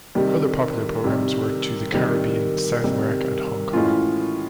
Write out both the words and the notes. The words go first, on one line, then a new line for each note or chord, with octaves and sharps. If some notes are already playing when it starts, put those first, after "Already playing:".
Other popular programs were to the Caribbean, South America, and Hong Kong.
C3 D#3 G3
C3 D#3 G3
C3 D#3 G3
C3 D#3 G3
A2 E3 G#3 C#4 F4